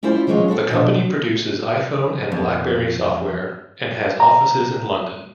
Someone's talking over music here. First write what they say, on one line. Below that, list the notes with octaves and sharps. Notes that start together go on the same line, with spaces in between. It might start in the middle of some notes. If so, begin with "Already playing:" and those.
The company produces iPhone and BlackBerry software, and has offices in London.
C#4 E4 F4 C5 D5
E3 F#3 G#3 C#4 F4 C#5
E4 F#4 A4 C5
B2 D3
F2
A#5